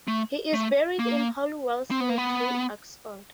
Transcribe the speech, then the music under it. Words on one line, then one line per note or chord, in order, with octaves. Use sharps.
He is buried in Holywell Cemetery, Oxford.
A3
A3
A#3
C4
B3
A#3
B3